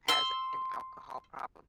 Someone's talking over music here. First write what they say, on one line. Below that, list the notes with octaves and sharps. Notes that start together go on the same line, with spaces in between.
has an alcohol problem,
C6 E6